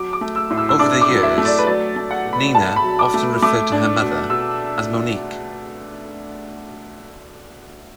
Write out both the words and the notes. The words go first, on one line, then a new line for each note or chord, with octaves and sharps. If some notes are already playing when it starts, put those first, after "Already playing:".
Over the years, Nina often referred to her mother as "Monique".
Already playing: F#3 D6
D6
A3
E6
A2
E6
E6
D4 D6
D6
F#3
E5
A3
D5
B4
F#3 D5
A3
F#5
B2
B5
B2 A5
B5
F#3
D6
A3
A3 D6
D4
B2
B2 E6